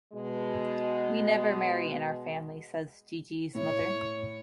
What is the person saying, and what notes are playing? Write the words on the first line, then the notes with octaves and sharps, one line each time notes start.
"We never marry in our family", says Gigi's mother.
B2 G#3
A2 E4 C#5